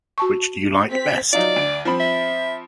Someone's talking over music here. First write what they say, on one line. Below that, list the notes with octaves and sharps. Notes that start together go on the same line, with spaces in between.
Which do you like best?
F#4 A5 C#6
C4 B6
F#3 D#4 F4 D5
D2 D7
F3 C4 B5
E5